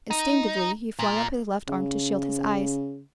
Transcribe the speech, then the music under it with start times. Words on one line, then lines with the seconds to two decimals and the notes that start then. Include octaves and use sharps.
Instinctively, he flung up his left arm to shield his eyes.
0.11 D#4
0.99 A#2
1.68 C#3